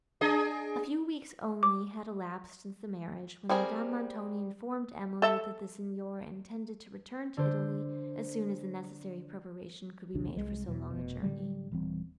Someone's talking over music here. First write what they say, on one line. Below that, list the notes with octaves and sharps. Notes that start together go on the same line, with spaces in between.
A few weeks only had elapsed, since the marriage, when Madame Montoni informed Emily, that the Signor intended to return to Italy, as soon as the necessary preparation could be made for so long a journey.
D4 G#4 D#5
D6
G3 C4 G#4 A#4
A4 E5
D3 C5
A#1 D#2 C3 D4
C2 G#3
E2 B2 F#3
F1 B2
A2 D3 F#3 G3
D#1 E3 G3 C4